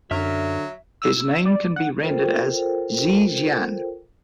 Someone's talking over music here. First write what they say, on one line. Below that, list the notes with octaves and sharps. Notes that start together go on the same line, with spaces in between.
His name can be rendered as Xi Jian.
F#2 D3 F#3 E5 F6
E6
D5
F#5
F4 A4 A#4 C5 G5